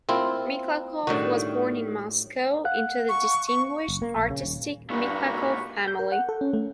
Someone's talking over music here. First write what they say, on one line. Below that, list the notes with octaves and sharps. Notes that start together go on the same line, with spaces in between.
Mikhalkov was born in Moscow into the distinguished, artistic Mikhalkov family.
A#3 C4 E4 F4
A2 D#3 G3 D4 F#4
F5 F#5 F#6
C#6
C#6
F#1
A#3
A#1
C#3
D#1
C#2 G2 A#2 A#3 F#4 B5 C#6
G6
A#4
F#5
A4
C#4
A3